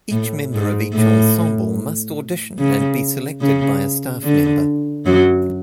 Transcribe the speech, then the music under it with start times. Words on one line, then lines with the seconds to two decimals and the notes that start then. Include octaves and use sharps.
Each member of each ensemble must audition and be selected by a staff member.
0.11 A2
0.53 G#2
0.94 A2
2.59 C#3
3.41 C#3
4.24 D3
5.06 F#2 F#3